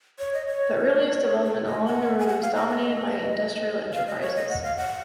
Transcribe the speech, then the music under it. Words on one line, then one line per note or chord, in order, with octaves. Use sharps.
The earliest development along the road was dominated by industrial enterprises.
C#5
D#5
C#5
C#5
D#5
F#5
G#5
F#5
F5
D#5
D#5
F5
D#5
C#5
D#5
F#5
F5
F#5